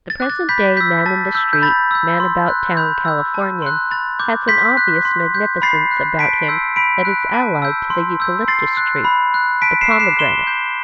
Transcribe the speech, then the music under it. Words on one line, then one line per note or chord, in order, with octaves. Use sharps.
The present-day man-in-the-street, man-about-town Californian has an obvious magnificence about him that is allied to the eucalyptus tree, the pomegranate.
A6
D6 F#6
A6
B5 G6 B6
E6 G6 B6
A5 A6
E6 G6
G6
B5 A6
E6 G6
C6
F#6
B5 G6
E6 G6
A5
C6 F#6
B5 A6
D6 G6
C6 G6 B6
F#6
C6
G6
B5 A6 C7
F#6
A5 B6 D7
C6 E6 G6
B5 B6 D7
F#6
A5
E6 G6
C6
E6 G6
C6 A6 C7
F#6
B5
F#6
A5 B6 D7
C7 E7
D6 F#6
C7 E7
C6 E7 G7
G6